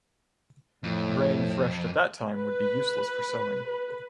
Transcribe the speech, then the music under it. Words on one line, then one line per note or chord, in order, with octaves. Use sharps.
Grain threshed at that time would be useless for sowing.
F2 A2
B4
B4